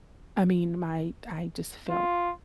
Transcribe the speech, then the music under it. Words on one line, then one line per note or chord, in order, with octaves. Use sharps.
I mean, my I just felt
F4